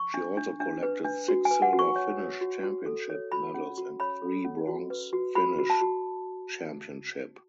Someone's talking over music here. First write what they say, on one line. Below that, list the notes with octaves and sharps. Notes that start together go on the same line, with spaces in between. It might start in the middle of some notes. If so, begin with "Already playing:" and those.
She also collected six silver Finnish Championship medals and three bronze Finnish Championship.
Already playing: C#6
D4
D4
D4
B4
D4
F#4
G#5
B4
F#5
F#4
C#6
C#5
C#5
F#4
F#4
A4
C#5
F#4 B5
C#4
F#4
C#5 B5
A4
C#4
F#4
B4
F#4
F#4 B5
F#4
A5
F#4